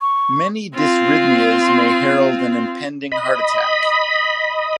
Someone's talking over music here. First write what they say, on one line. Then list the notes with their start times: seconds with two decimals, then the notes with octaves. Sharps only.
Many dysrhythmias may herald an impending heart attack.
0.01 C#6
0.75 C4 F4
3.12 D#5 B5